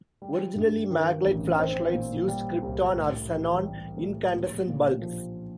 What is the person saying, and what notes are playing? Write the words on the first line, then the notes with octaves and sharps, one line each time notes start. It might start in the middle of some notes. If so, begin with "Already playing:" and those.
Originally Maglite flashlights used krypton or xenon incandescent bulbs.
G3
G2
D#3
A1
C4
A#2
G3
C2
A2
E3
G3
A2
A#1
A#2
F3